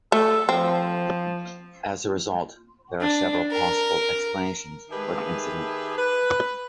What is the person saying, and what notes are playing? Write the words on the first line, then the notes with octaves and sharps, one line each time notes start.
As a result, there are several possible explanations for the incident.
A3 A4
F3 C4
D4
A#4
D#3 G4 G#4 B4 E5 A5
B4